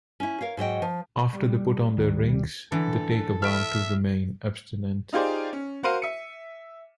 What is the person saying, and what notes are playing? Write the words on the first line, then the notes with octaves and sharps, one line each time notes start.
After they put on their rings, they take a vow to remain abstinent.
C#4 E4
A#4 C#5 F5
G#2 F#3 D#5 G5
F3
G3
D1 D#3
D3 E3 A4
E5 F6 B6 D7
D#4 F4 G4 G#4 C5 D5
C#4
F#4 A#4 C5 F5 D#7
E5 C#7